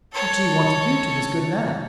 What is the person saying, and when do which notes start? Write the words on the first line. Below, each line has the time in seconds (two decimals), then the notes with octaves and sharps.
What do you want to do to this good man?
0.12 A4 C#5